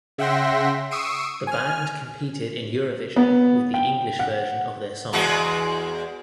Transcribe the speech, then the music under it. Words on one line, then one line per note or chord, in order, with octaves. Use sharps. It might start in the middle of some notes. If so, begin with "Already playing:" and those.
The band competed in Eurovision with the English version of their song.
C#3 E5 F#5 G5 C6 A#6
C#6 D#6 E6 C7 D7 D#7
G#5 F6
B3
G5
F#5
E2 G#3 F#4